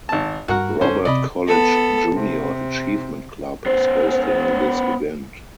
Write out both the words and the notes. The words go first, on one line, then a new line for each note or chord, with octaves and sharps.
Robert College Junior Achievement Club is hosting this event.
G#1 A5
G2 F#4 A#4 F#5
F#2 D3 C#4 C5
C3 D5 D#5 B5
B3 A4
C3
B3 C5